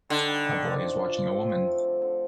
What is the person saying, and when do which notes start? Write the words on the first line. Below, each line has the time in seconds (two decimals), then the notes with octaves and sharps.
A boy is watching a woman.
0.09 D3 D#3
0.27 G3
0.45 D#3
0.62 F3
0.80 F3
0.97 F3
1.15 F3
1.32 C4
1.49 F3
1.67 A3
1.84 D3
2.02 D3